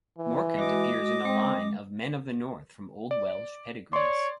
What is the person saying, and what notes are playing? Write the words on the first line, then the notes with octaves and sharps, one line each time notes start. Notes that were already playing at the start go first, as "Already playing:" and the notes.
Morcant appears in a line of "Men of the North" from Old Welsh pedigrees.
E3
G#3 F#4 D#5 D6
G#3 C4
D5
C#5 D5 C6